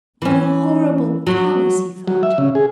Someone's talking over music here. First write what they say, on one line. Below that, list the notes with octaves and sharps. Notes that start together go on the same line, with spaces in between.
What a horrible palace! he thought.
E3 C#4
F#3
F#3
E5
C#3
G#4